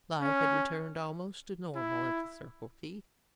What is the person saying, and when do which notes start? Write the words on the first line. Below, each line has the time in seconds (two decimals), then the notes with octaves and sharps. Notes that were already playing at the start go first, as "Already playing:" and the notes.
Life had returned almost to normal at the Circle T.
0.22 C#4
1.76 E4